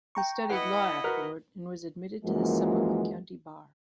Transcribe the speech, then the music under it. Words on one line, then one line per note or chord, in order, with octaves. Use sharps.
He studied law afterward, and was admitted to the Suffolk County bar.
G5 A#5 C#6
E4 B4 D#5 F#5 G5 C#7
F#4 A#4 B4
F#2 E3 F3 G#3 A#3 F#4